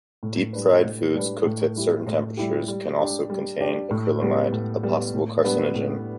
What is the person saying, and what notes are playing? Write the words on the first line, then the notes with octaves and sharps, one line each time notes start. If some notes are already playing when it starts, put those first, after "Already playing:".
Deep-fried foods cooked at certain temperatures can also contain acrylamide, a possible carcinogen.
A2
G3 D4 B4
A2
G3 D4 B4
A2
G3 E4 G4
A2
G3 E4 G4
G3
D4 G4
G3
D4 G4
A2
G3 B3
A2
G3 B3
A2
G3 B3 D4 B4
A2